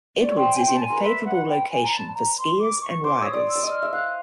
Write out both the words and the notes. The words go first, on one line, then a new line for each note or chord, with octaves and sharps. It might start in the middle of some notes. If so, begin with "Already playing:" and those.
Edwards is in a favorable location for skiers and riders.
D5
C#5
C5 G5
G#5
G5
C5
A5
G#5
A#4
B4
E5
F#5
G5
G#5
A#5
A5
A#5
C6
D6
C#6
C5 D6
C#5 D#6 E6
D5
E6
D5
D#5
F6
E5
F5 F#6